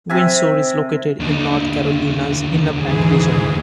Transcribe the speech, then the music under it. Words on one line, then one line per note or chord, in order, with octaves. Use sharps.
Windsor is located in North Carolina's Inner Banks region.
C3 E5 G#5
D#2 D3
G#2 E3 G#4